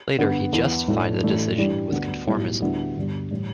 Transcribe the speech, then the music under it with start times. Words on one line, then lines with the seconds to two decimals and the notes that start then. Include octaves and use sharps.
Later he justified the decision with conformism.
0.18 G2 D3 B3
0.52 E2 E3 B3 E4
0.88 B1 A2 A3 D4
1.22 A1 A2 A3 D4
1.57 G2 E3 G3 D4
1.92 D2 D3 B3 D4
2.27 B1 A2 G3 E4
2.62 D2 D3 G3 B3 E4
2.96 G1 G2 D3 G3
3.31 A2 E3 G3